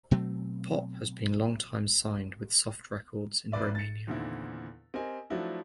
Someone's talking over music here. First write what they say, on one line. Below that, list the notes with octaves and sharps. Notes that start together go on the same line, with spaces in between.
Pop has been longtime signed with Soft Records in Romania.
B2 F#3 A3 C4
A1 B4 D5 E5
A6 C#7
E2 A#2 D3 D#3 C4 E4
C4 G4 A#4 D#5 G#5
F3 F#3 A3 D4 E4 F#4